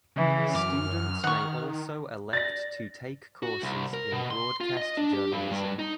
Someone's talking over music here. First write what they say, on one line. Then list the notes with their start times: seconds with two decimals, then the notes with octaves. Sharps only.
Students may also elect to take courses in Broadcast Journalism.
0.16 C#3 E3
0.55 F#2 D6 F6
1.24 D#3 F#5 C#6
2.33 D5 A6 A#6
3.43 F#4
3.62 C2
3.94 A#4
4.12 B2
4.31 C6
4.61 F4
4.77 D#5
4.97 D4
5.13 G4
5.33 G2
5.52 G2
5.79 D#4